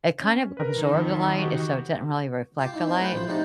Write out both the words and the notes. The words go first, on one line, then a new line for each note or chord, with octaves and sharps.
It kind of absorbed the light, it so it didn't really reflect the light,
C#4
A#4 B4
D#3
F2
F#4 G4
F4 G4 A5 D6
D#4 E4
C4 G#5 A5
A3 B4 G5
A1 F3 C5
C3 G#3 A3 D4 D#4 G4